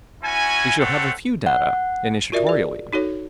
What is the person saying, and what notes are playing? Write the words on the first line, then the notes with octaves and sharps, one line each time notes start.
We shall have a few data initiatorily.
C#4 E4 F#4 G#5
A3 C4 A4 C#5 F#5
F#5
F4 F#4 A#4 D5 E5
G#4 D5
D#4 F#4 A4 C#5